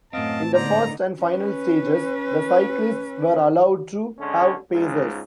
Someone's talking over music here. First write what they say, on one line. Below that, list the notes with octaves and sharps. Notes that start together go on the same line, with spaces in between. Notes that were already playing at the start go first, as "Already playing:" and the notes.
In the first and final stages, the cyclists were allowed to have pacers.
F#2 A2 C4 D#5 F5 A5
G#2 D3 B3 D#4 C5 D5 A#5
C#4 B4
D3 G#3 C#4
C#2 G#2